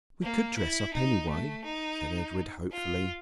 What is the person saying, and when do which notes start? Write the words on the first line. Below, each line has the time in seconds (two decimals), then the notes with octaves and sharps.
"We could dress up, anyway," said Edred hopefully.
0.23 A#3
0.57 E4
0.93 D#4
1.29 A3
1.64 D#4
2.71 F4